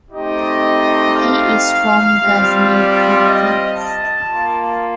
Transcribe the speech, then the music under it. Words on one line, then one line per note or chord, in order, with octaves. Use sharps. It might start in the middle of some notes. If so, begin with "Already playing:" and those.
He is from Ghazni Province.
A3 C4 D#4 G4 D#5
F5
G3 C4 F4
D5
D#5
A5
A#3 F4